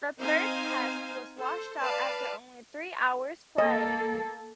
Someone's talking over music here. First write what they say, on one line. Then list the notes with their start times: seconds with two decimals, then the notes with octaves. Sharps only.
The Third Test was washed out after only three hours' play.
0.20 C4 D#4 C5 F5 G#5
1.38 A4 C5
1.80 B4 D5 F5 A5
3.58 A#3 A4 D#5